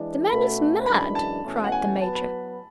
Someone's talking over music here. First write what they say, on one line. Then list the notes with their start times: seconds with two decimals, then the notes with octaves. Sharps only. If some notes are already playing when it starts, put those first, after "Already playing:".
"The man is mad!" cried the Major.
Already playing: E3 G#3 D4
0.28 B2 A3 C#4 F#4 A4 B5
0.86 F#2 E3 G#3 D4 B5
1.15 A5
1.44 E2 B2 A3 C#4
1.64 F#5
1.72 G#5
2.01 F#3 B3 F#4 B4 A5
2.15 B5